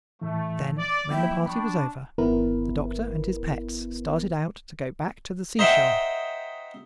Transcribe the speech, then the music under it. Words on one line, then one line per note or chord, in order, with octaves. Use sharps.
Then, when the party was over, the Doctor and his pets started out to go back to the seashore.
A2 E3 A3
D5
F3 F#3 A#3 E4 G5
D4 B5 C#6
G1 D#3 B3 E4 A#4 B4
D#4 C5 E5 F#5 G5